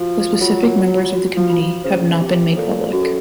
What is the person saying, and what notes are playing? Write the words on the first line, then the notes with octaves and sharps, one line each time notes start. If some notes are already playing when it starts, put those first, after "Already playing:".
The specific members of the committee have not been made public.
Already playing: F3 F4 F#4
F#3 F4
F4
F#4
F4
F#4
F3
F4
F3
C#3 C5
C3
A#2 A4
F#2 F#4
A4